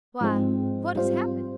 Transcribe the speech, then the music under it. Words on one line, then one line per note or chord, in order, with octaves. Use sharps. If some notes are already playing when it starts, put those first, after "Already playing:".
"Why, what has happened?"
G#2 F3 G#3 C4
G#2 G3 C4 F4 C5